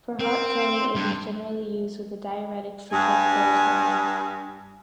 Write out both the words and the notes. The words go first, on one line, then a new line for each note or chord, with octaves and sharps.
For heart failure it is generally used with a diuretic such as furosemide.
C4 A#4
C6
G2
G2 G#5